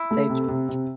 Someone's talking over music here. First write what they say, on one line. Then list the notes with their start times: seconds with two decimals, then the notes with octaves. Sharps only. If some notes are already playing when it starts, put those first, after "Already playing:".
they just
Already playing: E4
0.11 A3
0.29 C3
0.48 C3
0.69 C3